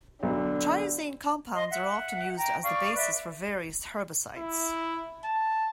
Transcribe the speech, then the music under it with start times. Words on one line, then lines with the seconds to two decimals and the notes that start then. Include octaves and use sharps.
Triazine compounds are often used as the basis for various herbicides.
0.23 B1 D3
1.54 D#5 C6
1.71 E5 F#5
2.37 G5 A#5
2.63 D5 F5 C#6
2.95 B4 D5 E5
4.37 E4
5.24 A5